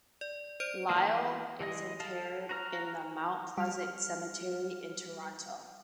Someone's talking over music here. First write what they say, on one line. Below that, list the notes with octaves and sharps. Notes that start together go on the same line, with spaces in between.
Lyall is interred in the Mount Pleasant Cemetery in Toronto.
D5
C5 D5 D7
E3 G#3 A#3 C5
E3 G#3 D#5
A4 F5 A5
F#4 A#5 F6
G3 F6